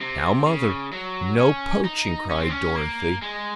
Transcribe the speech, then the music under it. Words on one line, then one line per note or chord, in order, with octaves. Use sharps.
"Now, mother, no poaching," cried Dorothy.
C3
C#3
F#3
C#4
D#4
C#4
C4
C#4
A#3
G#3